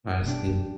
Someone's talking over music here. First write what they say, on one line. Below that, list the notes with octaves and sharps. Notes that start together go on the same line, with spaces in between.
I see.
C3
B2 G3 D4 G4
F2